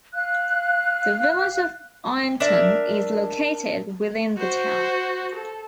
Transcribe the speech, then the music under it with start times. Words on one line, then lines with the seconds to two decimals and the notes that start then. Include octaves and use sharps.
The Village of Ironton is located within the town.
0.14 F5 F#6
2.40 D4 A#4 E5
4.37 F#4 C5
5.35 A4